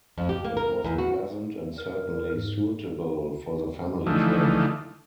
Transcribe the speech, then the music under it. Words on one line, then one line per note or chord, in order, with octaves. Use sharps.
It was pleasant and certainly suitable for the family trade.
F2
G4
A#3
A#4
E2
F#4
A#4
G#2
D3 E3 F3 A3 D#4